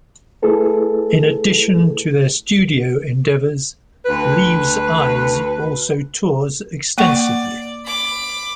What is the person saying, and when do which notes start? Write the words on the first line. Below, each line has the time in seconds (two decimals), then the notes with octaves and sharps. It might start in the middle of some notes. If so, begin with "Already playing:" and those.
In addition to their studio endeavors, Leaves' Eyes also tours extensively.
0.42 A3 E4 G#4 A4 B4
4.06 D2 B4
6.98 A#3 D5 F#5 C#6
7.85 B5 D6